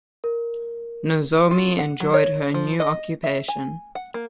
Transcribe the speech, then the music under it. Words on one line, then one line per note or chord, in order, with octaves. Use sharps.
Nozomi enjoyed her new occupation.
A#4
F4
F#5
F#3
C#5
F3
D#5
E5
G#5
F#5
A#3